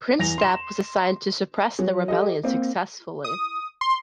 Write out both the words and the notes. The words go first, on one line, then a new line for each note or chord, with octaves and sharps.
Prince Thap was assigned to suppress the rebellion, successfully.
E2 A#6 F7
C6 E7
F#3
G4 A4 D#5
A#3 C4
D#6
C6